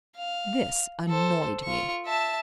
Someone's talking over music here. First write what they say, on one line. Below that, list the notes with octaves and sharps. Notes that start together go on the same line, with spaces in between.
This annoyed me.
F5
A4 C5
F4 C#6
E5 A5